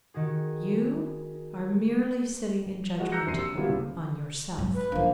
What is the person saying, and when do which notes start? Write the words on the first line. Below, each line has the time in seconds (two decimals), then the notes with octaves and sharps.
You are merely sitting in judgment on yourself. ...
0.14 D#3 F#4 G#4
2.99 G#3 F#4 D#5
3.12 A#5 E6 F#6 G6 A#6 C#7
3.26 A#1 F#2 C3 C6 C7 D#7
3.39 E6 C#7
3.54 D#3 F#3 G3 B3 E4 F4
3.69 D#1 C#3
4.58 G#2 F#3
4.75 B4
4.92 D#3 F3 A#3 D4